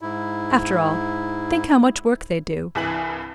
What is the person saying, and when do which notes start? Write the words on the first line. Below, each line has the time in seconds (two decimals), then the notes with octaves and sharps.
After all, think how much work they do.
0.01 G#2 E4
2.75 C2 G2 E3 G#5 F#7